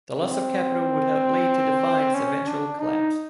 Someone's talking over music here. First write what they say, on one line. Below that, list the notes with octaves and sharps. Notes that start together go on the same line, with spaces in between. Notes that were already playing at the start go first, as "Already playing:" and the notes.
The loss of capital would help lead to Defiant's eventual collapse.
C4
C#4
D4
D#4